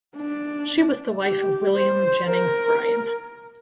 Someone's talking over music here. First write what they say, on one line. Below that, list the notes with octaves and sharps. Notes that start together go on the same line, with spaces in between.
She was the wife of William Jennings Bryan.
D4
G4
C5
A#4